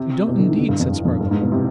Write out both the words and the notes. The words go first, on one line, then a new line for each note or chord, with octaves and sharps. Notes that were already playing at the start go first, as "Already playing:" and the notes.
"You don't, indeed!" said Spargo.
Already playing: C3
B2
D3
D#3
D3
G2
F2
G2
F2
G2
G#2
B2
C3